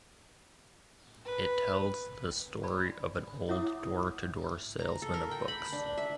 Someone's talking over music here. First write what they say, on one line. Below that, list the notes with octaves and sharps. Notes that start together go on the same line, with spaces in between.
It tells the story of an old door-to-door salesman of books.
B4
D5 A5 B5
E4 C#5 E5 F#5 D6 D#6
A#5
A4
A#4
G5
B5
D4
E5